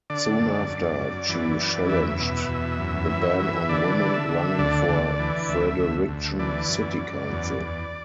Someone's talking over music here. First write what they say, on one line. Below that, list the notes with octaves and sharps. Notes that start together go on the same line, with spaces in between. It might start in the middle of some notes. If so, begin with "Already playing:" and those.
Soon after, she challenged the ban on women running for Fredericton City Council.
D3 D5
F#2
F#2
F#2
E3
F#2
E2 E5
B2
E2
F#2
E3
E3
D3 D5
D3
E5
D3
D2 D5
D2
E3
D2 E5
D2
D2
E3 D5
F#2
F#2
E2
E2